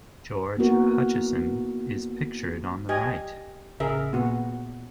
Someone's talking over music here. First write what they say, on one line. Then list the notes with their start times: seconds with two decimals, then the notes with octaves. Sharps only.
George Hutcheson is pictured on the right.
0.58 A#3 B3 D#4 E4 F#4 A#4
2.89 G4 D#5 G#5
3.80 A1 C#3 G#4 A#4 E5
4.13 A#2 B3 F#4